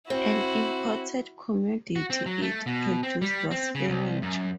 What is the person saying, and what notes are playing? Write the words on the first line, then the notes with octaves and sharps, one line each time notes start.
An important commodity it produced was furniture.
C4 E4 F#4
F#4
C4
F#3
A3
B2
C4
G3
C4
C#3
C2
F#2